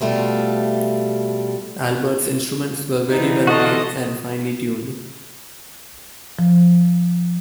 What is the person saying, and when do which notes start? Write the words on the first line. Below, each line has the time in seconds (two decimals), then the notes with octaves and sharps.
Albert's instruments were very well made, and finely tuned.
0.01 B2 G3 A3 F4
3.09 D3 E3 D#4 B4
3.47 F4 F#4 A4 D#5 A5
6.39 F3